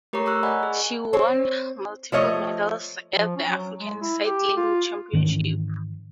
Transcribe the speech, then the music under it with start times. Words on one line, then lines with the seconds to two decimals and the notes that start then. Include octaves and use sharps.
She won multiple medals at the African Cycling Championships.
0.13 A3 G4 A#4 C#5 A#5 C#6
0.26 A#5 C#6 E6 F#6
0.43 D5 D#5 F#5 G#5 B5
0.63 G#4
1.13 C4 C5 C#5
2.12 F3 A3 C#5 D#5
3.17 F3
3.36 C#4
3.48 F#3
3.79 G#3
4.01 E4
4.24 G4
4.57 F4
5.13 G#2 D#3 E3 C#4